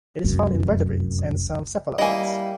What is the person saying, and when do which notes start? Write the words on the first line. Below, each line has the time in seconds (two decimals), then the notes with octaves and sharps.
It is found in vertebrates and some cephalopods.
0.24 F1 C#2 F#2
1.98 G3 A#3 E4 D#5 G#5